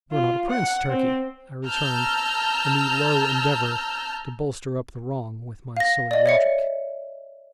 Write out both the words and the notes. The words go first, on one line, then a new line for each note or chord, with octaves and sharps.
"But you're not a prince, Turkey," I returned, in the low endeavour to bolster up the wrong with my silly logic.
F4
F#5
C4
A5 A#5 E6 F6 G6
F5 A#6
D5 D#5
C#5 E5 C#7